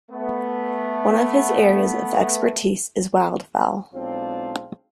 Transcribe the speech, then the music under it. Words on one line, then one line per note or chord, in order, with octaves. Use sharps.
One of his areas of expertise is wildfowl.
A3 B3
B1 G#3 C4 D4 F4